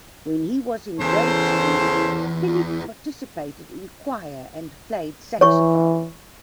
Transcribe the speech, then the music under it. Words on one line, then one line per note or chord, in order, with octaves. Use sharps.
When he was in grade school, Pinnick participated in choir and played saxophone.
E2 C#3 E3 A4 C5
E3 C#5 C#6